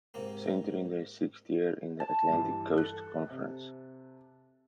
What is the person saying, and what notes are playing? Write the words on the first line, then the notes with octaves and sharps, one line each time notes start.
Center in their sixth year in the Atlantic Coast Conference.
G#2 C3 A#3
A5
G2 E3
A4 F#6
C3